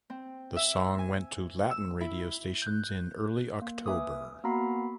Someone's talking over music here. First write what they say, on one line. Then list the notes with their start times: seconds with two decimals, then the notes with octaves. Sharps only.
The song went to Latin radio stations in early October.
0.10 C4
0.56 E5
0.99 G#5
1.71 E6
2.01 E4
2.62 F#6 G6
3.62 A#3
3.86 B4 E5 G#5 D6 D#6
4.44 A#3 B3 F#4 A#5 B5 C7